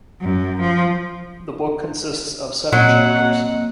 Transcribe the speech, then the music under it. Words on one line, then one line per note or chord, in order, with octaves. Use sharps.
The book consists of seven chapters.
F#2
F3
A#2 F#3 A#3 C4 D#5 F#5